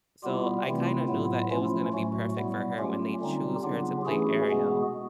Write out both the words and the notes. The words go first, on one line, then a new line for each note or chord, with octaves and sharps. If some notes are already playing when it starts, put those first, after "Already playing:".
So I kinda knew that it was gonna be perfect for her when they choose her to play Ariel.
B2 G3 B3 E4 F4 G4
C3 E3 A3 C4 E4 F4
A2 F#3 B3 E4
F3 A3 C#4 E4 F4
A2 F#3 A3 F#4
B2 G3 B3 E4
F#3 A3 C#4 F4 G4
D3 G3 C4 D#4
C#3 F#3 B3 D4 F4 G4
E3 A3 C#4 E4 F#4 G#4
B2 G#3 B3